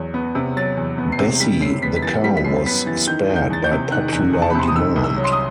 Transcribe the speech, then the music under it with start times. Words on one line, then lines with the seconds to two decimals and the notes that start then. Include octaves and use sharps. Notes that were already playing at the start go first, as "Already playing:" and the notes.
Bessie the cow was spared by popular demand.
Already playing: E2 F#3
0.14 B3
0.35 C3
0.56 F#3 A6
0.77 E2
0.98 B3
1.12 C7
1.19 C3
1.40 G3 B6
1.61 F#2 C7
1.82 B3 B6
1.96 B6
2.02 E3 A6
2.24 G3 B6
2.37 B6
2.44 F#2 C7
2.66 B3 B6
2.86 E3 A6
3.07 D#3 G6
3.29 E2
3.36 G6
3.50 E2 A6
3.64 G6
3.71 C3
3.91 D#3 F#6
4.12 E2
4.33 E2
4.42 A5
4.50 B5
4.55 C3 C6
4.68 D#6
4.76 D#3 E6
4.96 C2
5.04 E6
5.17 F#3
5.24 C6
5.32 D#6